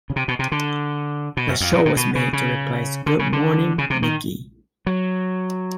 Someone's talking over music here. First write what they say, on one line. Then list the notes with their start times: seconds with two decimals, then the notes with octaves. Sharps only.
The show was made to replace "Good Morning, Mickey!".
0.10 C#3
0.16 C3
0.28 B2
0.39 C3
0.52 D3
1.37 B2
1.48 F#2
1.61 F2
1.73 A#2
1.85 A#2
1.96 B2
2.15 C#3
2.33 C#3
3.06 D3
3.19 C#3
3.33 D3
3.78 C#3
3.90 C3
4.02 D#3
4.87 F#3